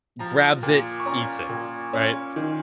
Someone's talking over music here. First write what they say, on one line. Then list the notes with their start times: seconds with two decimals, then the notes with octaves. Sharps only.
grabs it, eats it, right
0.19 F3 A#5
0.63 A#2
1.00 C#6
1.06 C#4 A#5
1.49 A#2
1.93 C#4
2.36 D#3